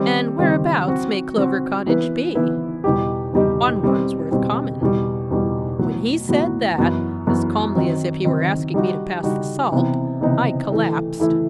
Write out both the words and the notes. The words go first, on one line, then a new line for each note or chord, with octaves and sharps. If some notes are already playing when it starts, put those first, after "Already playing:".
'And whereabouts may Clover Cottage be?' 'On Wandsworth Common.' When he said that, as calmly as if he were asking me to pass the salt, I collapsed.
Already playing: D#3 G3 C4
D#3 G3 C4
F#3 C4 F#4
F#3 C4 F#4
E3 B3 E4 B4
E3 B3 E4 B4
E2 B2 G3 D#4 G4
E2 B2 G3 D#4 G4
B2 G3 C4
B2 G3 C4
E2 B2 G3
E2 B2 G3
A2 F#3 B3 F#4
A2 F#3 B3 F#4
F#2 E3 B3 F#4
F#2 E3 B3 F#4
D#3 F#3 C4
D#3 F#3 C4
G3 D#4 F#4
G3 D#4 F#4
C3 E3 B3 D#4
C3 E3 B3 D#4
E3 A3 E4
E3 A3 E4